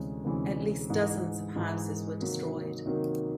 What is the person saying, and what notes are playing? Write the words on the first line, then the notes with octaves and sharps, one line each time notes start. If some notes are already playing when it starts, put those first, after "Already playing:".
At least dozens of houses were destroyed.
Already playing: D2 C3 E3 G#3 C#4
D2 C3 E3 G#3 C#4
G#2 E3 G#3
G#2 E3 G#3
C3 D#3 F#3 A#3 D#4
C3 D#3 F#3 A#3 D#4